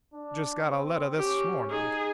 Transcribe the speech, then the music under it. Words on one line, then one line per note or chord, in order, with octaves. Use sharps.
'Just got a letter this morning.'
D4
C4
C#4 G4
D#4 G#4